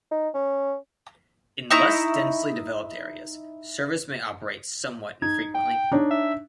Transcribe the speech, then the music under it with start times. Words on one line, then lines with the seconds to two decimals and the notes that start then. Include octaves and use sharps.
In less densely developed areas service may operate somewhat infrequently.
0.11 D#4
0.34 C#4
1.71 D#4 E4 A#5 C#6
5.22 D#4 G#6
5.54 G5
5.92 D4 D#4 C#5
6.11 E5